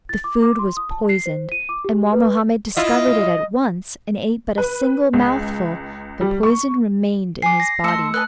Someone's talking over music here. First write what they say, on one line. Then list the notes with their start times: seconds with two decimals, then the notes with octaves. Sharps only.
The food was poisoned, and while Mohammed discovered it at once and ate but a single mouthful, the poison remained in his body.
0.09 A6
0.24 D6
0.42 D6
0.59 C6
0.77 D#6
0.91 A5
1.09 C7
1.26 C5
1.52 D#7
1.69 D6
1.85 G4
2.13 B4
2.77 E4 F4 D#5
4.58 B4
5.13 C#2
6.21 G3
6.43 C#6
7.42 G#5 D6 C7
7.60 A#6
7.84 A3 A5 C6 E6 C#7
8.14 B4 D#5 A5 F#6